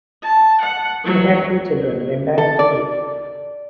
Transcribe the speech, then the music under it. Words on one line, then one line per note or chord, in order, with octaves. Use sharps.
They had two children, Linda and Julie.
A5
F#5
F#3
A4
D5